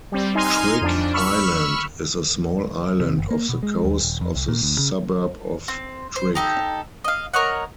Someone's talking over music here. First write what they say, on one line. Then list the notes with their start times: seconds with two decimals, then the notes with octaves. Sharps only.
Trigg Island is a small island off the coast of the suburb of Trigg.
0.12 G3 C4
0.35 D#4 G#5 C6 F6 D#7
0.81 F2 D4
1.14 B5 C#6 E6 F6
3.00 C3
3.19 F#1
3.31 A#3
3.49 B2
3.63 G#3
3.85 D#2
4.02 D#1
4.21 F2
4.35 C2
4.48 A#2
4.63 D2
4.79 C#3
5.68 C4
6.16 C5
6.35 D#4 G4 A4
7.04 D#5 F5
7.34 A#4 C#5 D#5 F#5